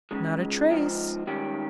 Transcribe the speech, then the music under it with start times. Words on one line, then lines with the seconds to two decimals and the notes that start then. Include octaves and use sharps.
"Not a trace."
0.11 C#2 C#3 G#3 D#4
0.69 G#2 F3 C4 D#4
1.27 G#2 D#3 G3 C#4 G4